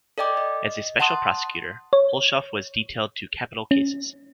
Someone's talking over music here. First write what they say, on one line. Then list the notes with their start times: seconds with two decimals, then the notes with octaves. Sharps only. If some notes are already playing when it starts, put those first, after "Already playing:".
As a special prosecutor, Hulshof was detailed to capital cases.
0.18 A4 D5 D#5 G5 D6
0.37 D#5
1.00 F#5 A5 C6 D#6
1.93 C#5
3.71 C#4